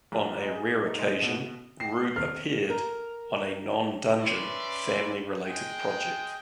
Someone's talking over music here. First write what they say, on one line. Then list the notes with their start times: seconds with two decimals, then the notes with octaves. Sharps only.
On a rare occasion, Rube appeared on a non-Dungeon Family related project.
0.12 A#1
0.42 G#3
0.56 G#4
0.86 D#4
0.99 G#3
1.22 B2
1.80 G5 C7
2.16 D#3 C4 F6
2.70 A#4
4.19 C#4 B4 D5 E5 C6
5.44 G#3 G#4 G5